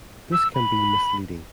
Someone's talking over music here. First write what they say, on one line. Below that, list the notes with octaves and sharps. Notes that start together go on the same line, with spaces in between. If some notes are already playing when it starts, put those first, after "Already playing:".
This can be misleading.
E6
B5